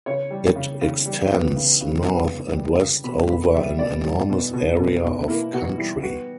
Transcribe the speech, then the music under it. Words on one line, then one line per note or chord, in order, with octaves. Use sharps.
It extends north and west over an enormous area of country.
C#3 C#5
G3
C#3
C#3
G3
B3
C#3
C#3
B3
C#3
G3
C#3
B2 B5
B2 B5
G3 E5
B2 D5
G3
B2
B2
B2
B2
A#3 E4
B2 F#4
G3 E4
B3 F#4